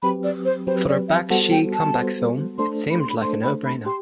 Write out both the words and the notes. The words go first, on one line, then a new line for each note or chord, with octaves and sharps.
For a Bakshi comeback film, it seemed like a no-brainer.
F#3 C4 G4 B4 B5
D5
C5
F#3 C4 G4 B4 C5
D5
E5
G3 B3 F#4 A4 C5 F#5
G5
A5
G3 B3 F#4 A4 C5
A3 D4 A4 C5 C6
B5
C6
B5
A3 D4 A4 C5 C6
B5
B5
G4 C6